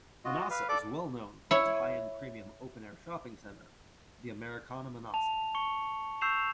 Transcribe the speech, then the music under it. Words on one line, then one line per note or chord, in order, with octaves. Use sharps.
Manhasset is well known for its high-end premium open-air shopping center, the Americana Manhasset.
F4 F#4 D#5
B4 F5
A4 D5 D6
E4 C#5
A5 F7
C#6 C#7 G7
C#6 E6 G6 C7 E7 F7